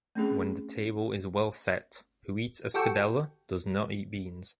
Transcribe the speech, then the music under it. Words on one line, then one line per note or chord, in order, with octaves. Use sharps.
When the table is well set, who eats escudella does no eat beans.
A3 C4 C#4 G#4
F#4 G4 A4 G5 C#6